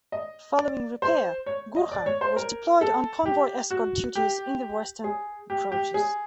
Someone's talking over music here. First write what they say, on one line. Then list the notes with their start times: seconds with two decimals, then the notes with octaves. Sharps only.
Following repair, "Gurkha" was deployed on convoy escort duties in the Western Approaches.
0.12 D#5
0.57 D5
1.02 C5
1.46 C#5
1.76 D#5
1.91 D5
2.06 C#5
2.21 C5
2.36 A#4
2.81 A4
3.26 G4
3.70 F#4
4.15 G4
5.04 G#4
5.50 G4
5.72 G4
5.94 G#4